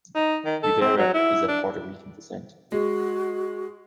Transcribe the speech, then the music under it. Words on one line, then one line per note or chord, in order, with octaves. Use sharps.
Rivera is of Puerto Rican descent.
D#4
D#3
A4
C4
F#3
E4
D4
G#3 F#4